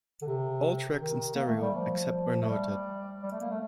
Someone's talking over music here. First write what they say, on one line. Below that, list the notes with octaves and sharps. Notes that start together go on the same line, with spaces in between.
All tracks in stereo, except where noted.
D3
C3
D#3
A#3
A3
G3
F3
A3
G3
G3
A3
A#3
A3